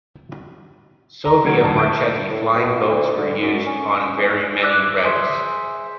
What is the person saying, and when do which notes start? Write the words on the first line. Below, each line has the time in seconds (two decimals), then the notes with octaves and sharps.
Savoia Marchetti flying boats were used on very many routes.
1.25 A#5
1.44 D#3 F#3 A3 G#6 D7
1.61 G#2 D3 A5
1.77 E5 G6 D7
2.30 A2
2.55 B2
2.88 D2
3.15 D3
3.42 F#2
3.66 C#4
4.00 C#4
4.18 E2
4.62 E4 D5 D6 F#6
5.03 G#4 C5 E5